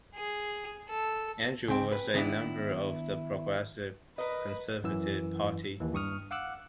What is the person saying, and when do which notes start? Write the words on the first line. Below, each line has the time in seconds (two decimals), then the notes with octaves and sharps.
Andrewes was a member of the Progressive Conservative Party.
0.15 G#4
0.89 A4
1.68 C#2 C4 G5
1.92 B4
2.14 D#3 B3 D4 E4
4.18 A#4 B4 D#5
4.84 F#2 E3 E6
5.80 D#2 E3
5.94 G2 C#6 D#6 F6
6.31 F5 F#5 D6 E6 F#6